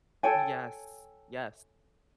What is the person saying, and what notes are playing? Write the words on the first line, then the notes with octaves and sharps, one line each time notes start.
Yes. Yes.
A4 C#5 G5 G#5